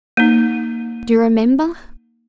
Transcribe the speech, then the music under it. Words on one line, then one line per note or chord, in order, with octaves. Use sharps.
"Do you remember?"
A#3 D#4